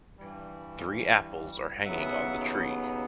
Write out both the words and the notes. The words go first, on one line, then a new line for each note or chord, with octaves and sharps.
Three apples are hanging on the tree.
G2 E3 G3
D#2 C#3 F#3 B3 E5 F#5